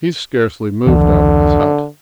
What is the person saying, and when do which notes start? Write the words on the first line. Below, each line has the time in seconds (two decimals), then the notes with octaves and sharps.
He scarcely moved out of his hut.
0.87 F1 C#2 D3 E3